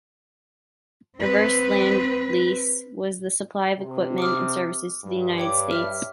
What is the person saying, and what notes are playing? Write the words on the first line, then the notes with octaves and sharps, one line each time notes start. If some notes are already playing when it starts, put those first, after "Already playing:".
"Reverse Lend-lease" was the supply of equipment and services to the United States.
C4 B4
C3
D6 D#6 F6
G2
C#5 G5 D6
E5 F6